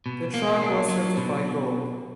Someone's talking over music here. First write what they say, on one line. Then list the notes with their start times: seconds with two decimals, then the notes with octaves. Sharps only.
The track was certified gold.
0.06 B2
0.34 A#3
0.61 D4
0.89 F#3
1.17 B2